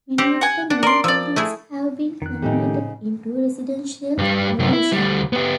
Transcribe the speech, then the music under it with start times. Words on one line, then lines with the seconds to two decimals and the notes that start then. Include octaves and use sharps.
Many of the mill buildings have been converted into residential accommodation.
0.18 C4 G4
0.41 F#5 G#5
0.70 D4 F#5
0.83 A#4 D5 C6
1.04 F3 D5 E6
1.36 A3 E4 G#4
2.22 F2 D#3 F#6
2.42 A2 C#3 F3 A3 C4 D#4 G4
4.18 G2 G3
4.59 C2 F#2
4.73 E4
4.93 D2 G3
5.33 B3 G4